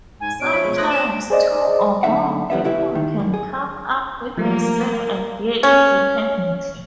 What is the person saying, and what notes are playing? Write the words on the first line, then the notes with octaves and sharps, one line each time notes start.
Sometimes, two or more people can come up with the same idea independently.
G#2 G#5
B2 C#5 D7
F3 E5 B5
B2 G#3
A3 C5 D#6 F#6 A#6
D4 E7
G#4 C5 D5 D#5
F#2 D3 D#4 E5 F#5
E3 G3 B3 E5
C#2 C#3 E4 G4 B4 E5
D#3
F#2
G#4
F3 G3 A3 A#3
C#4